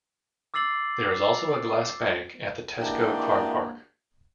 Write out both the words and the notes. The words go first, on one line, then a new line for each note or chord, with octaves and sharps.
There is also a glass bank at the Tesco car park.
D6 E6 A6 C7 F#7
E3 G#3 A#3 D4 F#4 G4